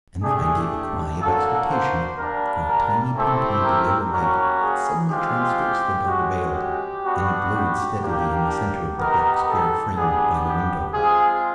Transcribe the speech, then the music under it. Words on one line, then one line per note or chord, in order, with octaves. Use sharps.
And then I gave a cry of exultation, for a tiny pinpoint of yellow light had suddenly transfixed the dark veil, and glowed steadily in the centre of the black square framed by the window.
A3 D4 G4 G#4
G4
A#3 D4 F#4 A4
C5
G3 A#3 D4 A#4
A#4
A3 C4 E4 G4 A4
A#4
G3 A#3 C#4 F#4 A#4
G#4
G#3 C4 F4 G4
G#3 C#4 F#4
G4
G3 B3 D4 F#4
G4
A#3 D4 G4
G4
B3 D#4 G4 A#4
A4
B3 D4 G4 G#4
G4
G#3 C4 F4 G#4